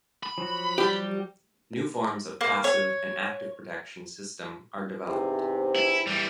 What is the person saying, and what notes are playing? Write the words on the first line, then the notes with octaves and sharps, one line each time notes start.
New forms of passive and Active protection system are developed.
B5
F3 F#3 F#4
G3 G4
A#3
C#5
E2 G#2 C3
E4
E3 G3